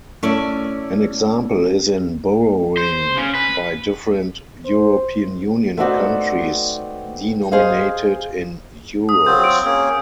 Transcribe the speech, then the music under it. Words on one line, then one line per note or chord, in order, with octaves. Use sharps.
An example is in borrowing by different European Union countries denominated in euros.
A3 C#4 E4 D5
C5
C#3
B4
C5
A3 B3 C4 D#4 F#4 D5
G#4 C5 D#5 F5
D#6
F#3 C4 F4 G6
D7
A#3 C#4 G#4